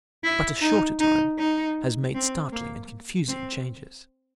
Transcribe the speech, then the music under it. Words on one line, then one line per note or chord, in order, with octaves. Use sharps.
But a shorter time has made startling and confusing changes.
E4
D#4
D#4
D#4
C4
A#3
C4